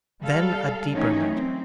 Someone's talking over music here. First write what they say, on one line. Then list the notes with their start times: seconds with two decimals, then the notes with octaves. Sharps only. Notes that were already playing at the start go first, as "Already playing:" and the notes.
Then a deeper matter.
0.22 G3 A4 F5
0.93 D#3 E3 F#3 A3 C#4 D#4
1.34 C4